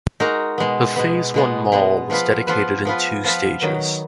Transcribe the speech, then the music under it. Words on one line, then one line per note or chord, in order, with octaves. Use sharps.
The Phase One mall was dedicated in two stages.
G#3 D#4 F#4 A#4
B2 G#3 B3
B2 G#3 B3
B2 G#3 B3
B2 G#3 B3
F3 B3 F4 B4
F3 B3 F4 B4
F3 B3 F4 B4
F3 B3 F4 B4
D#3 F#3 B3